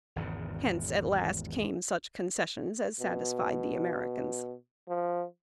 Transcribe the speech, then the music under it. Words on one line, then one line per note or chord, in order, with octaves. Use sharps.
Hence, at last, came such concessions as satisfied the Americans.
G#1 E2 G#2 C#3
B2
F3